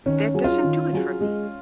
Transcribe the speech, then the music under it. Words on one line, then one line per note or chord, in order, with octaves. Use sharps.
that doesn't do it for me.
D#3 C#4
F#3 C#4 G#4
F4
D#3
F#3 C#4 G#4
G#3